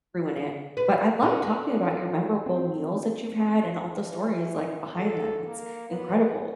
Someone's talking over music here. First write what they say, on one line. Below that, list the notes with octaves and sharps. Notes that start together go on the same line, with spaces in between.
ruin it, but I loved talking about your memorable meals that you've had and all the stories, like, behind them, it's incredible.
B4
D3
C4
E3
A4
A#3
B3